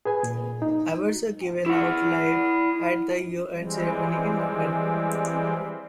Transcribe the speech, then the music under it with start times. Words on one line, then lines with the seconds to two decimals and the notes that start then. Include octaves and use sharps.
Awards are given out live at the year-end ceremony in London.
0.05 G#4 B4 G#5
0.23 A#2
0.62 D#4
1.66 E4 F#5
3.55 E3 G3 G#3 C4